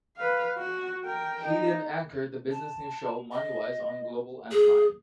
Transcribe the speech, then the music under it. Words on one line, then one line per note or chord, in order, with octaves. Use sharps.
He then anchored the business news show "MoneyWise" on Global and Prime.
B4 F5
F#4
A#4 G5
D#4
A5
D#5
G#4